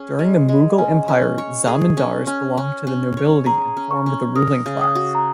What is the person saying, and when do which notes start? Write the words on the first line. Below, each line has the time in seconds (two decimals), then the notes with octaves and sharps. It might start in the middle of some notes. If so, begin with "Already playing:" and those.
During the Mughal Empire, zamindars belonged to the nobility and formed the ruling class.
Already playing: C#4 G#4
0.19 G#3
0.49 G#3
0.78 C#4 G#5
1.08 C#4
1.38 C#5
1.67 G#4
1.97 C#4
2.27 C#4
2.57 C#4
2.87 C#4
3.17 C#5
3.46 G#4 A#5
3.77 C#4
3.91 C#6
4.06 C#4
4.35 A#4 D#6
4.66 C#3
4.81 D#6
4.95 F#4
5.15 A#5